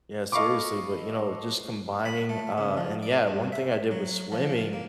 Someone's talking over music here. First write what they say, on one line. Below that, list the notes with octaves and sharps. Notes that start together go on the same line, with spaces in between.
Yeah, seriously, but, you know, just combining, uh And yeah, one thing I did with swimming
A4 D#5 F5 B5 C#6 D6
B5
A3
C#3
F3
D5
G2
E5
F#3
F3
A#3